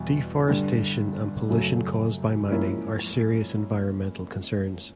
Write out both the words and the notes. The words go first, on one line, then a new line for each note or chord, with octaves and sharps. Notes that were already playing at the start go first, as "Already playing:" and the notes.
Deforestation and pollution caused by mining are serious environmental concerns.
Already playing: E2 B2 G3
G2 D3 G3
F#2 C#3 F#3 A3
G#2 F3 A#3 C#4 E4